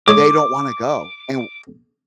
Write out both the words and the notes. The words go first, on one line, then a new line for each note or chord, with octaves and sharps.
"They don't wanna go, and w
G#2 C#5 D6 D#6